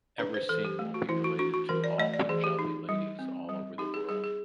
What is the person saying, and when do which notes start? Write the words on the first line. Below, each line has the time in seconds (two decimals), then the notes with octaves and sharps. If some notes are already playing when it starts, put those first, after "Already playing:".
Every scene will be related to all Punjabi ladies all over the world.
0.19 D4 B4
0.34 C5
0.49 E3 A4
0.65 G4
0.79 A3
0.94 F#4
1.09 E3 E4
1.24 F#4
1.39 D4 F#4
1.54 F#4
1.69 E3 A#4
1.84 D5
1.98 A3 D#5
2.14 D5
2.29 E3 G#4
2.44 G4
2.59 D#4
2.89 G3
3.19 C4
3.49 G3
3.78 D#4 G4
3.94 G#4
4.09 G3 G#4
4.24 G#4